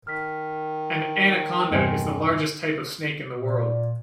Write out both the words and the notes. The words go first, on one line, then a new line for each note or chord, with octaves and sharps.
An anaconda is the largest type of snake in the world.
D#3 F6 B6
E2 G2 C3 D#5 G#5 C6
A#2